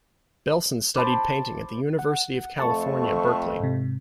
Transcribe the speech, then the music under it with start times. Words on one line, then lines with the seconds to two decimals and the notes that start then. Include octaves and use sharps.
Belson studied painting at the University of California, Berkeley.
0.96 C5 A5 B5 D6
1.99 F#5
2.59 F2 A3 A5 C#6
3.60 G#2 C3